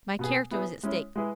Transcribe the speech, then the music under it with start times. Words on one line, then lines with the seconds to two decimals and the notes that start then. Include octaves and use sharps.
My character was at stake.
0.19 B2 B3 G#4
0.51 B3 E4 G#4 B4
0.83 G#3 C#4 E4
1.16 G#3 E4 G#4 B4